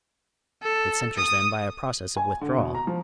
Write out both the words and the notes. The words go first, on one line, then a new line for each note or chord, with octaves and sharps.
It centers them by a process of withdrawal.
A4
D#6
G#5
D3
B2
A#5
F3